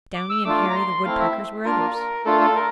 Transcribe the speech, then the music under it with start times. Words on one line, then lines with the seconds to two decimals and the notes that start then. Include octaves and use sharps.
Downy and Hairy the Woodpeckers were others.
0.15 D6
0.30 E6
0.45 A3 D4 F4 D6
0.70 A#5
0.75 C6
1.05 A3 C4 E4 F5
1.20 E5
1.65 A#3 D4 F4 A#4
1.80 A#4
1.95 A#4
2.25 A3 D4 F4 A4
2.41 A4
2.55 A#4